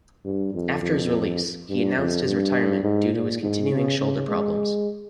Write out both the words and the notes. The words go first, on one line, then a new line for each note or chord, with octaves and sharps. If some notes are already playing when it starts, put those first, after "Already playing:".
After his release, he announced his retirement due to continuing shoulder problems.
G2
F2
F2
G2
F2
G2
G#2
A#2
G#2
C#3
C#3
G#3